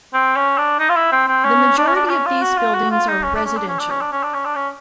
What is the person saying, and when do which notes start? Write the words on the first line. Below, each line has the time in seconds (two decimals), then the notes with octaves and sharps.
The majority of these buildings are residential.
0.14 C4
0.36 C#4
0.58 D4
0.79 D#4
0.89 F4
0.96 E4
1.12 C4
1.28 C4
1.45 C#4
1.77 D4
1.87 C#4
1.96 D4
2.06 D4
2.09 C#4
2.26 F4
2.42 F#4
2.58 F4
2.74 F#4
2.90 F4
3.08 D#4
3.23 C#4
3.35 D4
3.45 C#4
3.57 D4
3.68 C#4
3.79 D4
3.90 C#4
4.01 D4
4.12 C#4
4.23 D4
4.34 C#4
4.45 D4
4.55 C#4